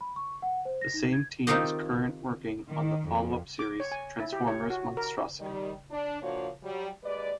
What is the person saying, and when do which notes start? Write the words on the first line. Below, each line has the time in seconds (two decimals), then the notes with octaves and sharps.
The same team is current working on the follow-up series, "Transformers: Monstrosity".
0.01 B5
0.16 C#6
0.42 F#5
0.65 C5
0.81 A#6
0.94 D#4
1.13 G#6
1.47 D#3 C4 D#4 F4 G4 D#5
2.67 D#3
3.06 F2
3.59 D6
3.80 C#5
3.92 G#5
4.20 E4
4.33 G4
4.47 C#5
4.70 F#4
4.97 A#4
5.40 D#3 G3
5.91 D4
6.22 F3 A#3 D4 F#4 C#5
6.63 F#3 G3
7.03 D#2 G#3 B4 D5